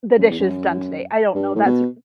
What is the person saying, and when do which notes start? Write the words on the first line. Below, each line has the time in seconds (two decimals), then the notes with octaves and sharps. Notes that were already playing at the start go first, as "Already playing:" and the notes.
the dishes done today, I don't know. That's r
0.18 F#2
0.30 E2
0.40 F#2
1.35 G2
1.55 A2
1.66 B2